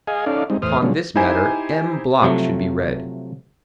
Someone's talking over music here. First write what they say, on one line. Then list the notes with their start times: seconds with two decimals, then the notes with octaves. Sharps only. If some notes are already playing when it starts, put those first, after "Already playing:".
Upon this matter M. Bloch should be read.
0.07 G#4 D#5 F5 G#5
0.26 C#4 D#4 A4 D5 F5
0.50 G3 G#3 C4 D#4
0.62 E2 A2 C5 D#6 F6
0.82 D3 F3 F#3 G#3 C#4
1.16 D#4 E4 G4 C5 G#5
2.22 C3 F3 F#3 A3